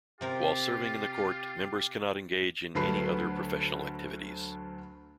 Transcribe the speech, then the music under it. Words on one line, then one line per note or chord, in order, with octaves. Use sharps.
While serving in the Court, members cannot engage in any other professional activities.
C3 C4 F4 G4 A#4
D2 F#3 A3 B4 C7